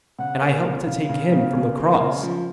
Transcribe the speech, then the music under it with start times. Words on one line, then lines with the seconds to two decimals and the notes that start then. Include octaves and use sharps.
And I helped to take Him from the cross.
0.19 C#3 F#5
0.41 A#3
0.64 C#3
0.86 C#3 F5
1.09 C#3
1.32 C#3
1.55 C#3
1.78 A#3
2.00 C#3
2.23 F3